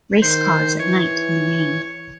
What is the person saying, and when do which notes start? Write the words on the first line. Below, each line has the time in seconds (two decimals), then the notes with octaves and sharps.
Race cars at night in the rain.
0.22 D#3 C5
0.79 E3 C#5